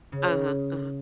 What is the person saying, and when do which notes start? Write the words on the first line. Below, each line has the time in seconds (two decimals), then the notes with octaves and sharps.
Uh-huh. Uh-huh.
0.12 C#3